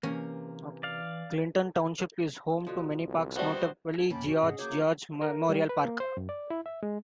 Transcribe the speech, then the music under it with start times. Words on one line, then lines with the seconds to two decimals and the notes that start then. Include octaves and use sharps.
Clinton Township is home to many parks, notably George George Memorial Park.
0.03 C3 E3 A#3 C#4
0.83 D5 F5
2.67 B2 D3 F3
3.07 C2
3.36 G3 A3 B3 F#4 C5
3.98 E4 A4 A5
4.10 F2 B2 A#3 C#4 G5 A5 B5
4.27 F#4 G4
4.43 G#2 C3 G#4 D#5 F#5
4.59 F#3 A#3 C#5 D6 G6
4.71 C#4 F4
5.22 A#4
5.49 G3
5.69 B4
5.85 A#3
6.00 C5
6.17 F#2
6.29 D5
6.50 E4
6.66 E5
6.83 G#3